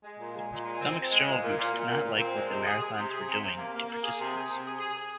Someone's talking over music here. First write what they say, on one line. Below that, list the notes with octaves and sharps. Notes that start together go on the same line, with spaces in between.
Some external groups did not like what the marathons were doing to participants.
G#3
A#2
G#3
A#2
G#3
C4
C4
G#3
A#2
A#2
A#2
A#2
A#2
A#2
C4
G#3
C3
G#4
G#4
C3
G#4
C3
C3
A#3
A#3
A#3
G#4
C3
G#4
C3
G#4
G#4
G#4